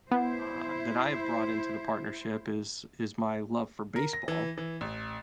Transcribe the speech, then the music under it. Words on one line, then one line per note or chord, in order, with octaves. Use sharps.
uh, that I have brought into the partnership is is my love for baseball,
B3 E4 C5
A#4
A#6
E3
E3
A1